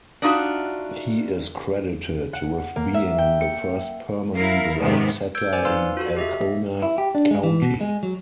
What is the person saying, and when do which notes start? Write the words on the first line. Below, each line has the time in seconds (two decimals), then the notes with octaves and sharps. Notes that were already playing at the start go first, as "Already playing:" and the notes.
He is credited with being the first permanent white settler in Alcona County.
0.22 D4 D#4 F4 F#4 E5
2.33 F#5
2.76 A#3
2.94 E5
3.18 G5
3.41 C#7
4.35 E4 A#4 F5
4.81 G#2 C3 D#3 G#3 B3
5.35 E6 G6 G#6 D7
5.53 C5 D5 G#5
5.65 D#4 B4 F5 C6 E6
5.97 F4 F#4 A4
6.17 G4 D#5 E5
6.82 E4
6.98 G4
7.15 D4
7.31 G#3
7.43 E3
7.62 B2
7.81 G#3
8.03 F#3